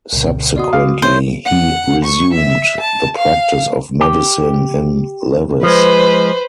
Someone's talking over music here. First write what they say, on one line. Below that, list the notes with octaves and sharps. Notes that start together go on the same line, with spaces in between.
Subsequently, he resumed the practice of medicine in Lewes.
C2 A#2 C#3
B3 F#4 D5 D#5 F#5 D#6
F5 D6
C4 A#4 C5 C#5 E5
F#5
C#6
E5
A5
F5
G4
F3 G#3 B4 C5